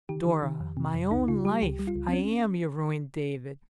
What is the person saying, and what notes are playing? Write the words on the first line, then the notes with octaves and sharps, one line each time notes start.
'Dora, my own life, I am your ruined David!'
D#3 G4
D#3
D#3
F2
C3
F2
C#2 D#4
C#3 F4
G3 G4
C#2 G4
G3
F4
C#2
C4
C#4